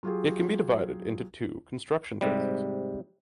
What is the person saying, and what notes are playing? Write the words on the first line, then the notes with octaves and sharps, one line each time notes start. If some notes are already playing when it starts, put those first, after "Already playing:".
It can be divided into two construction phases.
F#3 F4 G4 G#4
G#2 C3 G3